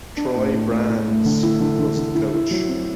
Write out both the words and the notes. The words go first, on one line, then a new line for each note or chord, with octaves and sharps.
Troy Brandes was the Coach.
D4
A2
A2
A2
A2
A2
D3
E4
D3
D3
D3
E4
E4
F#3
C4